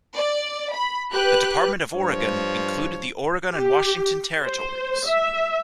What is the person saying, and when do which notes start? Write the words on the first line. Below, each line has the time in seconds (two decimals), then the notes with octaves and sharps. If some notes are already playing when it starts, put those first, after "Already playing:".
The Department of Oregon included the Oregon and Washington Territories.
0.16 D5
0.73 B5
1.13 G4 B4 F#6
1.93 G2 F3 C5 C#5
3.53 G4
4.43 C5
5.06 E5